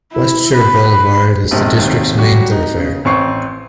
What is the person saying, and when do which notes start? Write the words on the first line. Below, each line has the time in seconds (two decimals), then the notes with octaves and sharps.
Westshore Boulevard is the district's main thoroughfare.
0.12 E4
0.52 B4
1.51 A#1 G#2 C3 D#3 G#3
1.78 G#1 D#2
2.17 F#3 G3 F#4 G4
2.52 D#4
2.77 C#3
3.05 A1 C4 C#6 C7